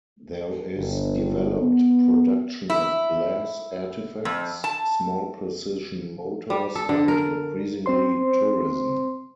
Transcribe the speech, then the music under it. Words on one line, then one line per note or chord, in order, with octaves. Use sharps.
There is developed production of glass artifacts, small precision motors and, increasingly, tourism.
G1
B3
E4
F2
A5
G3
A4
D3
A#4
C4 C5 C6